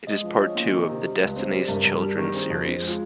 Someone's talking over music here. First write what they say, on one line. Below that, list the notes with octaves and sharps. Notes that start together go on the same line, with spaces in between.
It is part two of the "Destiny's Children" series.
G#3 D#5
F3
C#4 D#5
A#2
D#3
C3
G3
C#2
C4
G3
G2 A#4
G2
G3
D#3
C4 G#4
F2
C4
G#3
F4